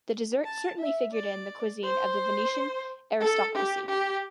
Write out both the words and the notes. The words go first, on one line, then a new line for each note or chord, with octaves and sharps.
The dessert certainly figured in the cuisine of the Venetian aristocracy.
A5
E5
D5
C5
A4
G4
G4